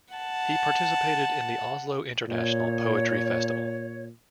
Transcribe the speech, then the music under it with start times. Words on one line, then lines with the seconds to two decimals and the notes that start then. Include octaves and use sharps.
He participated in the Oslo International Poetry Festival.
0.14 F#5 A5
2.28 A#2 C#5